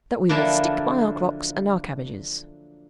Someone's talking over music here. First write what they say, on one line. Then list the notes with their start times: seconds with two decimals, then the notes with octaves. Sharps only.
"That we will stick by our clocks and our cabbages."
0.29 D3 F3 F#3 A#3 E4 A4